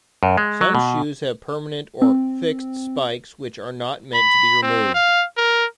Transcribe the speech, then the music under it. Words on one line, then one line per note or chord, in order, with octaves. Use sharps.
Some shoes have permanent or "fixed" spikes which are not meant to be removed.
F#2
G#3
F#3
B2
C4
B5
C4
F5
A#4